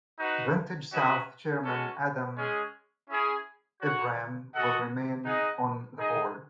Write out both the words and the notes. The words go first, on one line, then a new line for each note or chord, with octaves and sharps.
VantageSouth chairman Adam Abram will remain on the board.
D#4 F#4 B4 F#5
C#4 F#4 B4 D#5
G#3 C#4 F#4 A4
G#3 C#4 G#4
C#4 E4 G#4
F#4 C#5 F#5
F#4 A4 D#5 F#5
D#4 G#4 D#5 F#5
D#4 G#4 D#5